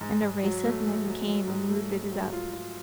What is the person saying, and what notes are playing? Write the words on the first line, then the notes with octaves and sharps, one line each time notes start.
And a race of men came and rooted it up.
G#2
G#2
F#3
A3
A3
F#3
F#3
G#2
A3
G#2
F#3
F4
F4